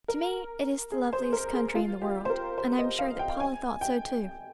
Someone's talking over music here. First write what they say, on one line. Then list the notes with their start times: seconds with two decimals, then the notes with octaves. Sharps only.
To me it is the loveliest country in the world and I am sure that Paula thought so too.
0.08 A#4
0.92 G#4
1.13 C5
1.33 A#4
1.54 G#4
1.75 F4
2.02 G4
2.25 C5
2.30 A#4
2.58 C5
2.79 D#5
2.99 F5
3.19 G5
3.40 G#5
3.81 G5